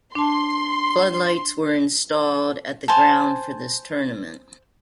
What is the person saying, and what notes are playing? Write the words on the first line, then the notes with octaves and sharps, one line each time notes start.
Floodlights were installed at the ground for this tournament.
D4 A5 C6
C5 G#5 A5